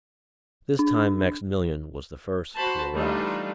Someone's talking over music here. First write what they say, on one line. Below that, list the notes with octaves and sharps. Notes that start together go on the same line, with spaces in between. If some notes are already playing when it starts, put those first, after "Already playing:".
This time Maximilian was the first to arrive.
D4
F#4 C5 A5 B5 C6
E3 G3 A3 D4 D#4 F4